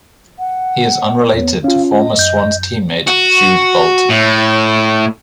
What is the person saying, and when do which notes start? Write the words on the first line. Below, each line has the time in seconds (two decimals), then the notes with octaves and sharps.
He is unrelated to former Swans teammate Jude Bolton.
0.39 F#5
1.34 E2 B3 C#5
1.64 C#4 F4 F5
1.91 D#5
2.18 F#2 G6
3.07 F#4
4.09 A2